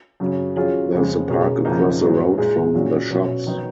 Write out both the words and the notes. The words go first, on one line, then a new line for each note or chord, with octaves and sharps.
There is a park across the road from the shops.
F#2 C#3 F#3
D#3 F#3 C#4 F4 G#4
F2 C#3 G#3
B2 A#3 C#4 G#4
F2 C#3 F3 A#3 D#4
G#2 F#3 B3
A#2 G#3 D#4 G#4
A#2 F#3 C#4 F#4
B2 F#3 C#4 F#4
D#3 F#3 B3 D#4 F#4